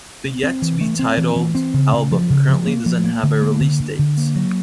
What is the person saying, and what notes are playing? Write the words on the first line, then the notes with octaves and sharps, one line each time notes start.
The yet-to-be titled album currently doesn't have a release date.
C4
C4
E3
A3
C4
E3
E3
C4
C#3
C#3
F3
C#3
F3
A#3
F3
A#3
D3
A#3
D3
D3
D3
A#3
F#3